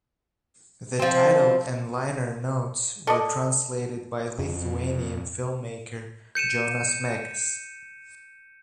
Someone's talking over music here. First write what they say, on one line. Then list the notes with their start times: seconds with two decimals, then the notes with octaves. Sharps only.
The title and liner notes were translated by Lithuanian filmmaker Jonas Mekas.
0.99 F3 C4
3.07 A4 D5 D#5
4.39 F2
6.35 G6 C#7 D#7 E7